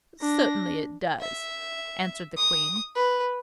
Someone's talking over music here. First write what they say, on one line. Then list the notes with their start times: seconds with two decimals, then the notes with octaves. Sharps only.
"Certainly it does," answered the Queen.
0.21 D4 A#6
1.21 E5
2.37 D#6
2.96 B4